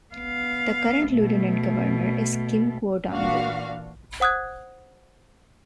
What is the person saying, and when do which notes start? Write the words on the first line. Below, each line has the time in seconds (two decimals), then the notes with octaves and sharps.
The Current Lieutenant Governor is Kim Guadagno.
0.15 B3 F5
1.09 B2 A3
3.09 A#2 E3 D4 F#4 F5
4.20 C5 F#5 D#6 F#6 G#6